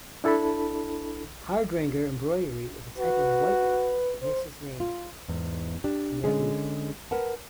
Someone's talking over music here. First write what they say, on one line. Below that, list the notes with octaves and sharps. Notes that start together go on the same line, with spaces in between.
Hardanger embroidery is a type of whitework that takes its name from that region.
D4 E4 A4 A5 B5
F#4 B4
C5
F4
E2 G#2
D4 G4
D3 G#3 C#4 G#4
A#4 B4 F#5 A5